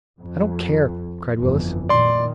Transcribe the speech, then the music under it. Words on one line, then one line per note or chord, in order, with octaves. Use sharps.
"I don't care!" cried Willis.
F2
G1 F2 E3
A#2 D#3 D5 C6